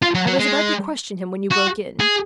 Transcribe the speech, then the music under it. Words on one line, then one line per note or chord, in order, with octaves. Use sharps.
I was about to question him, when you broke in.
F4
F#3
F#3
G#3
F#4
G#4